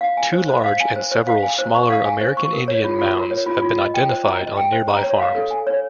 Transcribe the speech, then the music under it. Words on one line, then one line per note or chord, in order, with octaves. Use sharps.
Two large and several smaller American Indian mounds have been identified on nearby farms.
F5
G#5
C5
C5
F5
G#5
C5
C5
F5
G#5
C5
C#6
F5
G#5
C5
C#6
A#4
C#5
F4
F4
A#4
C#5
F4
F4
D#5
G5
C5
A#5
D#5
G5
C5
A#5
C#5
F5
A4
G#5
C#5